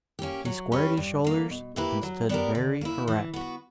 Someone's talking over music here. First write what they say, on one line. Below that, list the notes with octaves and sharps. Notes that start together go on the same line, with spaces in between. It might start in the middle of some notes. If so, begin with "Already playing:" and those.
He squared his shoulders and stood very erect.
A#3 C#4 G4
F#3
C#4 G4 B4
G2
D3 A#3
B2
A#3 E4 G4 B4
F#3
B3 D4 G4 A#4
D3
A#3 E4
E3
B3 F#4